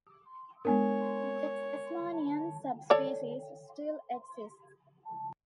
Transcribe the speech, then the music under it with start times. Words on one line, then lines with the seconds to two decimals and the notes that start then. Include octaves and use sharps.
The Tasmanian subspecies still exists.
0.65 G#3 B3 D4 A#4 C#5 G#5
2.90 A4 C#5 D5